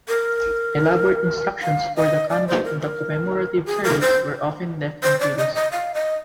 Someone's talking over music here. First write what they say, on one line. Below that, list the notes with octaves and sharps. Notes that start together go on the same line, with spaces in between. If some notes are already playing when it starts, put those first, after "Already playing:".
Elaborate instructions for the conduct of the commemorative service were often left in wills.
A#4
F5
D#5
D5
C5
A#4
A#4
G#4
A#4
C5
C5
D5
D#5
D#5
F5
D#5